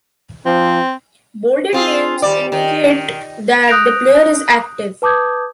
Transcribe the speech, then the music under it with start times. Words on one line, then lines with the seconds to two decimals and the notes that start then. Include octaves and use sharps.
Bolded names indicate that the player is active.
0.46 F3 C4
1.73 C4 F4 G#4
2.22 D#2 G3 D5
2.52 D#3
3.68 D#6 F#6 G6 A#6 D7 F7
5.02 B4 A5 D6 D#6 G6 G#6